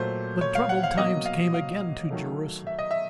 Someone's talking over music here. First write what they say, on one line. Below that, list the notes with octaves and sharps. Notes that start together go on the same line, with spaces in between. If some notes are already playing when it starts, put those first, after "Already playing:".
But troubled times came again to Jerusalem.
Already playing: A#2 F#3 A3 C5
C#5
F5
F#5
F5
B2 F#3 A#3 D#5
F5
F5
D#3 F#3 A3
E5
D#5
E5